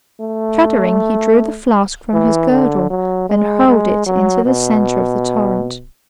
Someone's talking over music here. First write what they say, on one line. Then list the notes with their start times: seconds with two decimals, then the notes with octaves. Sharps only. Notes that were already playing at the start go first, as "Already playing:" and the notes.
Shuddering he drew the flask from his girdle and hurled it into the center of the torrent.
0.20 A3
2.14 E3
2.52 D3
2.90 F#3
3.29 G#3
3.68 G#3
4.07 F#3
4.45 B2